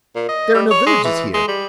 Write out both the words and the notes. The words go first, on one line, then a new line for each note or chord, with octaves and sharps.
There are no villages here?
A#2
D#5
G3
C#5
G#3
E3
G#3
G3